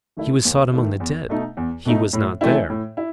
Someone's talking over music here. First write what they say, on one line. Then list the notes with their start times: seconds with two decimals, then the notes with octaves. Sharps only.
He was sought among the dead, he was not there.
0.17 D#3 A3 E4
0.45 D#2
0.73 D#3 A3 E4
1.00 E2
1.29 B2 A3 D#4
1.57 E2
1.85 B2 A3 D#4
2.13 A2
2.41 E3 A3 C4 E4
2.69 A2
2.97 E4